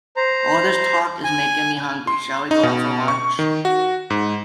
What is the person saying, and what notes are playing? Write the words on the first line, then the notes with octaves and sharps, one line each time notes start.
All this talk is making me hungry, shall we go out for lunch?
C5 A#5
G#5
C6
D#4
B2
C#6
D#3
F#4
G#2